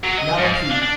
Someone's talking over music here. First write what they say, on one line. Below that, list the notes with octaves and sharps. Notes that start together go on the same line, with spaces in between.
Not a peep.
F#3
D#5
G#2
F5
D4
D4